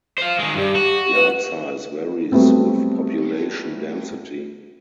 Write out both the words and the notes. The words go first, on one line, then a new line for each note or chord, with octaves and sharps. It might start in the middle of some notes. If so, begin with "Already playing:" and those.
Yard size varies with population density.
C5 F5
D#3 G#3
G2 G4
F#4
B4
F#3 G3 A3 B3 C4